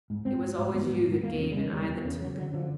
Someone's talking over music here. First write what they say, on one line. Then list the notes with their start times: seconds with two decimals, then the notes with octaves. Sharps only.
It was always you that gave and I that took.
0.10 G#2
0.25 G#2 C4
0.42 G#2
0.58 G#2
0.74 G#2 B3
0.91 G#2
1.08 G#2
1.23 E2 A#3
1.39 C#3
1.51 G3
1.56 C#3 G#3
1.72 E2 G3
1.89 E2
2.05 C#3
2.21 F#2 F#3
2.37 D3 F#3
2.53 D3 F3